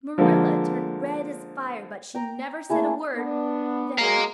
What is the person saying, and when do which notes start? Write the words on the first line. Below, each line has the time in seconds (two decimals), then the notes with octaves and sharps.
Marilla turned red as fire but she never said a word--then.
0.18 D3 F3 G#3 A#3
2.15 G5 A#5
2.70 A3 A#3 E4 G#4
3.14 B3 D4
3.98 F#3 G#3 A#3 F5 A#5